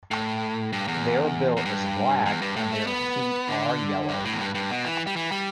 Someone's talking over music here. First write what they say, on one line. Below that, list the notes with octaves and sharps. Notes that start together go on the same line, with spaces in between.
Their bill is black and their feet are yellow.
A2
G2
E2
E2
G2
E2
G2
A2
A3
B3
D3
G2
A2
E2
G2
G2
B2
E3
G3
E3
G3